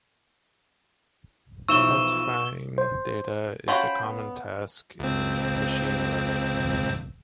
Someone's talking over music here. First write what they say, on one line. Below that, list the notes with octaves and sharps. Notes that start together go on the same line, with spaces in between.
Classifying data is a common task in machine learning.
B1 E3 F3 E4 C#6 E6 E7 G7
C5
C#4 F4 F#4 C5 G5 B5
B3
C#2 C4